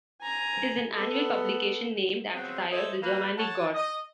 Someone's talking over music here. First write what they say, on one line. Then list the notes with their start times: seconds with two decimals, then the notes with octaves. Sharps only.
It is an annual publication named after Tyr, the Germanic god.
0.22 G#5 A#5
0.93 B3 A4
2.34 C#3 F#3 B3 C4
2.71 A4 C5 C#5 D#5 E5
3.03 A#3 B4
3.38 C#5 F#5 A5
3.74 D#5